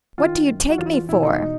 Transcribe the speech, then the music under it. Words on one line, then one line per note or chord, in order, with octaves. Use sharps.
"What do you take me for?"
D#3 F4
F#2
F#4
E2 F4
F4
B2 E4
D#4